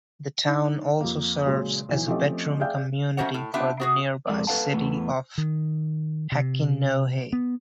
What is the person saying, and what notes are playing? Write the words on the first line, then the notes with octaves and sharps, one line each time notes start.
The town also serves as a bedroom community for the nearby city of Hachinohe.
D4 D#4
F2 A#3
A#2 C#3 F#3 G#3
B1 E3
F3 A3 C4 C#4 G4 D#5
G#4 D5 E5 F5 G5 G6
F2 A3 C#4 F#4 C5 F#5
A2
B3 D4 F4 G4 E5 A5
B3 F#4 G#4
F2 G#3 A4 A#4 D5
A4 B4 C5 F5 F#5 A5
E2 A3 B3
D#3
C3
B3